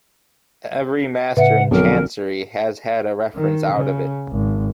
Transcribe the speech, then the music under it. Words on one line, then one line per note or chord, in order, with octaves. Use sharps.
Every master in Chancery has had a reference out of it.
A2 C#3 B4 E5 F#5
B1 D3 F3 C4 A#4
D#3
C#3
G#1